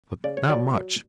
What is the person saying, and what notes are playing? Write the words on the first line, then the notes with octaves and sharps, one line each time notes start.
But not much.
C#3 D5
C#5
F#3 D5
F#3